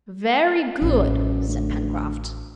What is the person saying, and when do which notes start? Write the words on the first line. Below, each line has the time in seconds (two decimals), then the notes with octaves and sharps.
"Very good," said Pencroft.
0.82 A1 F#2
1.48 D2